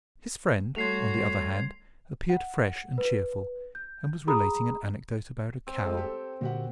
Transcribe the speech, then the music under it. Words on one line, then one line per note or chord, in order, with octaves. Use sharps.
His friend, on the other hand, appeared fresh and cheerful, and was relating an anecdote about a cow.
G3 A3 F#4 C#5 C6 G#6 C7 F7
F#5
B4
G6
G#4 A#5 B5 D#6
C4
G#3 A3 F4
G4 A4
A#2 D3 A#3 F#4 G4 F#5